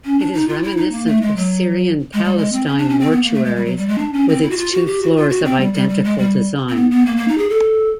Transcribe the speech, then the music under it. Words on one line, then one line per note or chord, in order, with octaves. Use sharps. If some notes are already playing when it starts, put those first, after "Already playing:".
It is reminiscent of Syrian-Palestine mortuaries with its two floors of identical design.
C#4
D4
D#4
F4
E4
D#4
A#3
A3
G#3
F#3
G#3
G3
G#3
C4
C#4
D4
C#4
C4
B3
A#3
A3
G#3
G3
F#3
G3
G#3
D4
C#4
C4
E4
F#4
F4
F#4
G4
F#4
F4
F#4
C4
G3
G3
G3
G#3
G3
C4
B3
B3
A#3
A#3
D#4
G#4
A4